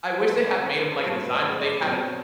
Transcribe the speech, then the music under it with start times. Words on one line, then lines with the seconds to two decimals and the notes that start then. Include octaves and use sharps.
I wish they had made 'em like a design, but they had a
0.19 C5
0.27 E2 B2 A3 C4 B4
0.47 D5
0.66 C5
0.79 B4
0.91 A4
1.04 G2 F#3 A3 C4 B4
1.23 B4
1.34 D5
1.41 C5
1.60 D5
1.80 B2 F#3 C4 A5